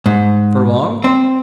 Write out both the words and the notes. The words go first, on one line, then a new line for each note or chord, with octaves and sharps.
"For long?"
G#2
C4